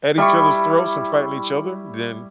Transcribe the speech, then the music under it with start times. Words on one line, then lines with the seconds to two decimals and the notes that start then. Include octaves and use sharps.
at each other's throats and fighting each other, then,
0.18 G3 E4 C#6